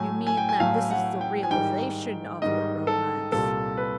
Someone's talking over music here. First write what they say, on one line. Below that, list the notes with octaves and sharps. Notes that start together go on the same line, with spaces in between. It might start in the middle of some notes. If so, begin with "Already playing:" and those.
"You mean that this is the realization of your romance."
Already playing: A2 F#3 A3 G#5
G#5
G5
G#5
A2 F#3 A3 F5
F#5
G5
G#5
G#2 D#3 G3 G5
G#2 D#3 G3 D#5
A4
C2 A#2 G3 A4
B4